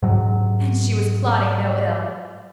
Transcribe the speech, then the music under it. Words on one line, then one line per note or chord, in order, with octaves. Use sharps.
And she was plotting no ill.
G#2 F#3